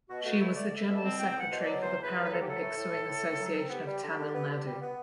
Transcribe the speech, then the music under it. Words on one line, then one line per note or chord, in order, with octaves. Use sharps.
She was the General Secretary for the Paralympic Swimming Association of Tamil Nadu.
B2 F#4
A3 F#4
B2 E4
A3 D5
A3
E5
B2
A5
C4
E2 G5
G5
E2 F#5
B2 C5
F#3 D5
E2 C5
E2
B4
F#3
B4
E2 A4
F#3 G4
A4
A2
A2
A2
A2
A2
F#3
C4
B3 G4
G3
D3
D3
B3
D3
G3
B3